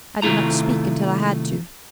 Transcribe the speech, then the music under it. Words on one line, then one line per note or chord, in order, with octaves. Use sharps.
I did not speak until I had to.
C3 D#3 A3 E4 F4 A#5